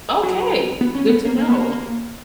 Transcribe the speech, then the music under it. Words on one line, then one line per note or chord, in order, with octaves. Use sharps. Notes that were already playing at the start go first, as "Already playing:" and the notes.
Okay. Good to know.
F#3
B3
C#4
B3
A#3
A#3
B3
A#3